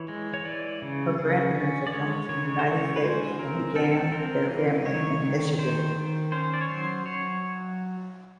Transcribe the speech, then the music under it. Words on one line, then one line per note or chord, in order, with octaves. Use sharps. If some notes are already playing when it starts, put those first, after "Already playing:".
Her grandparents had come to the United States and began their family in Michigan.
Already playing: E3 C#5
G#3
C#5
E3 D5
C#3
C#3
C#4
D5
G#3 C#5
C#3 C#5
C5
E3 C#5
B4
G#3 C5
C4 A#4
C4 A4
A#4
A4
C4 A#4
E3
D#3 C#5
D#3
D#3 C5
D#3
C#4 C5
D5
C#5
F#3 C5
F#3 C#5